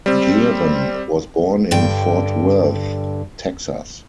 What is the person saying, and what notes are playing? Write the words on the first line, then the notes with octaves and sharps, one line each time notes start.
Geren was born in Fort Worth, Texas.
G3 C4
G2 D3 G5